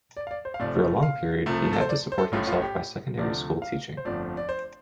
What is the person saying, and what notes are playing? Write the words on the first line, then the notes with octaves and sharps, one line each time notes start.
For a long period he had to support himself by secondary-school teaching.
D5
F5
D5
C5
F5
F1 F2 F3 A3 D5
F5
C2 C3 F3 A3
A4
C5
D5
C5
A4
A1 A2 A3 F4
F4
G4
D2 C3 F3 A3 D5
F5
C5
G1 F2 F3 A3 D5
D5
C5